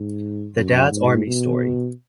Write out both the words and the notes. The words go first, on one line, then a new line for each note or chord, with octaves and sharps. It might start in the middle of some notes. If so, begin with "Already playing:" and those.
The Dad's Army Story.
Already playing: G#2
F#2
G#2
B2